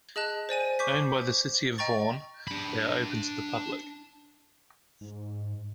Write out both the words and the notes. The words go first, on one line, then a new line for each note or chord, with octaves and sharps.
Owned by the City of Vaughan, they are open to the public.
G#4 D#5 A5 F#6
C5 D5 G#5 D#7
C#6 D6 G6 B6
D#5 G5 A#5 C#6 A6
D4 B5
G#2